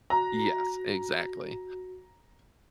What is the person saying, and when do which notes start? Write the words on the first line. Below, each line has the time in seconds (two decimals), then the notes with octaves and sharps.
Yes, exactly,
0.10 F#4 A#5